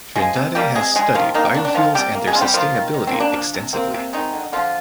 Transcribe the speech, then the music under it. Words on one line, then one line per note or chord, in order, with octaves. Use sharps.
Trindade has studied biofuels and their sustainability extensively.
F3 G#3 G#4
C3
G3 A#3 G4
C3 G#3 G#4
G3 G#3 G#4
D#3 F3 F4
D#3 A#3 D#4
C4
D#3 D4
D4
D#3 F3 F4
C3 G3 G4
A#3
G#3 G#4
C3 F4
G3 G4
F3 A#3 F4
D#3
D#3
C4
A#3
D4
F3 D4
C3
A#3 C4
C3
D#3 G#3 D#4
D3
D3 F3 F4